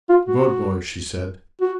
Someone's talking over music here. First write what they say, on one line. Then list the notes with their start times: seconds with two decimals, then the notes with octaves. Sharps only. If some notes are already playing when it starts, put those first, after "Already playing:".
"Good boy!" she said.
0.09 F4
0.25 F#4
1.61 F#4